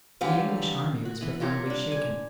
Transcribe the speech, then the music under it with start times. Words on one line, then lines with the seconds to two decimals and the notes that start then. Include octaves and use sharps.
The English army was profoundly shaken.
0.21 D3 E3 F#3 G3 F4 G4
1.05 F#4
1.21 E3 B3
1.40 F4 G4 A#4 C#5
1.66 G3 D4
1.92 G#5